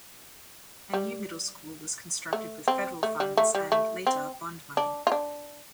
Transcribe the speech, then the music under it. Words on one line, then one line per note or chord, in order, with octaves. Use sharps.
A new middle school was constructed with federal funds and later bond money.
G3
A3
C4
A3
G3
A3
G3
A3
C4
D4
F4
D4